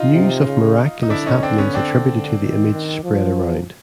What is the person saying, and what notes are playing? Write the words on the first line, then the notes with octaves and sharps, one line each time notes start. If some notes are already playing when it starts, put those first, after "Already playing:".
News of miraculous happenings attributed to the image spread around.
Already playing: D#4 F4
C3
C#3
D#4
D3 D4 E4
C#4 D#4
C4 D4
B3 C#4
C4 D4
D#3
D#3
F3